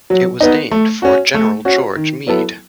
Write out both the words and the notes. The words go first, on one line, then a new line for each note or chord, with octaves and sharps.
It was named for General George Meade.
F#3
B3 D#4
A3
C#4 F#4
A3
C#4 F#4
D#3
F#3 B3 E4 A4